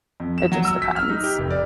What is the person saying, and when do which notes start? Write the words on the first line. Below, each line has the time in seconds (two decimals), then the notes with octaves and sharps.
it just depends.
0.20 F2
0.38 E7
0.52 F#3
0.65 E6
0.82 B6
0.96 F6
1.10 D#4
1.23 G4
1.38 F1
1.51 D5